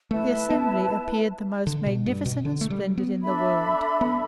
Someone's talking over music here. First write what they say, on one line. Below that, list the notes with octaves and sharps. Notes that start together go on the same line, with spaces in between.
The assembly appeared the most magnificent and splendid in the world.
A3 E4 B4 E5 A5
B3
D3
B2
G2
B2
D3
A3
G3
B3
D4 A4 E5 B5
B3